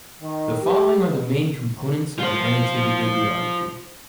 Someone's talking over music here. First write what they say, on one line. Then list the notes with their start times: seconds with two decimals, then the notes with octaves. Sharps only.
The following are the main components of an annotated bibliography.
0.22 D#3
0.62 G4
1.04 B2
2.19 F4 C5